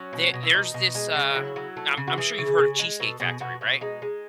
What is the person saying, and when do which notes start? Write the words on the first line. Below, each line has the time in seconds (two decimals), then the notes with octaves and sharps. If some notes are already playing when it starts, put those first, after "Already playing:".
the there's this, uh, I'm I'm sure you've heard of Cheesecake Factory, right?
Already playing: F#3 C#4
0.13 B2
0.34 B2
0.43 E4
0.53 B2 D#4
0.74 B2
0.95 G#3
1.15 C#3
1.31 D#4
1.35 F#3 E4
1.56 F#3
1.77 A3
1.97 C#3
2.07 F#4
2.18 E3 G#4
2.38 C#3
2.58 C#3
2.79 G#3
3.00 B2 A4
3.20 B2 G#4
3.40 B2 F#4
3.61 B2 E4
3.81 G#3 D#4
4.02 G#3